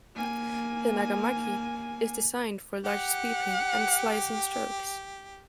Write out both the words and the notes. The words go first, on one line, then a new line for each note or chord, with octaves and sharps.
The nagamaki is designed for large sweeping and slicing strokes.
A#3 G#5
G4 F#5